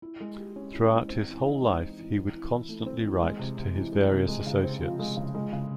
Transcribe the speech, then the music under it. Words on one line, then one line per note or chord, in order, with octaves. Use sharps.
Throughout his whole life, he would constantly write to his various associates.
E4
G#3
G4
C#4
E4
G#3
C4
E3
D#4
G#3
C4
E3
C4
E3
E4
A3
C4
E3
G#3
C3
C3
E3
G#3
C3
G#3
C#3
C4
F3
G#3
C#3
G#3
C#3